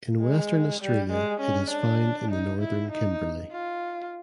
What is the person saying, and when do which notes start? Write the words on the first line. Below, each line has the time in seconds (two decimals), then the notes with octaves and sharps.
In Western Australia it is found in the northern Kimberley.
0.21 G#3
0.81 G3
1.12 G#3
1.41 C#4
1.71 D4
2.31 D#4
2.62 E4
2.92 D#4
3.52 F4